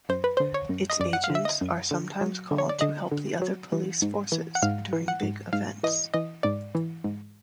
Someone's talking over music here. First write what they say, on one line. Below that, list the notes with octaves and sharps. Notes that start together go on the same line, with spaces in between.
Its agents are sometimes called to help the other police forces during big events.
F#2 C5
B4
D3 C5
C#5
F#2
D#5
F#2 D5
F#5
F5
D3
E5
D#5
F#2
D3
F#3
D3
C#5
D5
D3 D#5
D3
F#3
E3
G#2
E3
F#5
G#2 F5
E3
F#5
G#2
G#2 F5
E3 D#5
E3 D#5
G#2 D5
E3
G#2